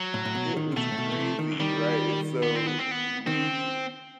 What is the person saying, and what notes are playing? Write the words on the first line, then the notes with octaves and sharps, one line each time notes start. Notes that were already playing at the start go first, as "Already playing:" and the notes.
It was crazy, right? And so we
Already playing: F#3
A2
A2
B2
D#3
C3
B2 A3
A2
B2
B2
C3
D#3
D#3 G3
B3
C4
B3
C4
B3
D#3 C4